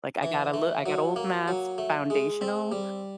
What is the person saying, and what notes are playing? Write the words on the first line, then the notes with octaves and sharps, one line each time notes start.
like, "I got a li I got old math's foundational,
E3
A3
F#3
A#3
F#3
A3
G#3
C4
G3